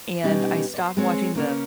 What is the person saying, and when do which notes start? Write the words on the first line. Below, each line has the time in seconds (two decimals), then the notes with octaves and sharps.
and, I stopped watching the f
0.23 B2 G3 C#4 D#4 G4
0.74 C5 D5
0.97 G#3 C4 C#5
1.35 C#3 A#3 C#4